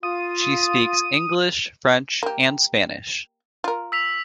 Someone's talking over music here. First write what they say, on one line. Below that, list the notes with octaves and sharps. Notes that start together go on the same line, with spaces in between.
She speaks English, French and Spanish.
F4 D#6
A#3 G4
F4 A#4
E6 B6 F7